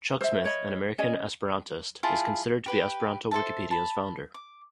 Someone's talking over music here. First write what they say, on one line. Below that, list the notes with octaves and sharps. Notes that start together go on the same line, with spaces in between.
Chuck Smith, an American Esperantist, is considered to be Esperanto Wikipedia's founder.
C5 E5
A#4 C#5 D#5 B5
C#4 D5 D#5 G#5
E4 F4 G#4 A5
G4 B4 G5
A4 C5 E5 A5
A5 B5
D6